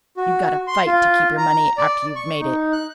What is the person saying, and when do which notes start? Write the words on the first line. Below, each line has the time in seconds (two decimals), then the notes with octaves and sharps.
You got to FIGHT to keep your money after you've made it.
0.17 F#4
0.67 C6
0.86 F4
1.38 A#5
1.77 D5
2.16 C#6
2.40 D#4
2.73 F#6